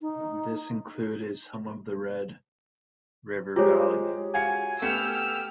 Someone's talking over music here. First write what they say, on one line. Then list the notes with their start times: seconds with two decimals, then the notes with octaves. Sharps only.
This included some of the Red River Valley.
0.01 D#4
3.56 G#3 F4 G4 C5 C#5
4.34 F#4 F5 G#5 C#7
4.82 A3 B3 G4 E6 F6 C#7